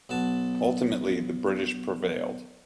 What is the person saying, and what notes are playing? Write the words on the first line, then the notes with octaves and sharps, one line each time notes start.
Ultimately, the British prevailed.
B1 F#4 A5